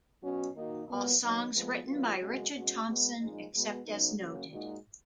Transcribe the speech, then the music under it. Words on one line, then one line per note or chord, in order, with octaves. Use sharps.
All songs written by Richard Thompson except as noted.
B2 F#3 C#4 F#4
D#3 A#3 D#4 F#4
A#2 F#3 B3
D#3 F#3 B3
F2 F3 G#3 B3
D#3 F#3 B3 F4
F#2 C#3 G#3 B3 F#4
B2 G#3 C#4 F#4
B2 G#3 B3
A#2 F3 G#3 D#4
B2 G#3 B3 F#4
C#3 F#3 B3 D#4
F#2 C#3 F#3 A#3 C#4
A#2 G#3 D#4 F#4